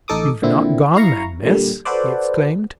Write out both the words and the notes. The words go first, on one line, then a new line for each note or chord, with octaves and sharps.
"You've not gone, then, miss?" he exclaimed.
A1 D#4 A4 D6 D#6
A#2 D3 C4 E4
E4 F5 A#5 C#6
A#2 D3 G3
F#4 A4 B4 C5 D5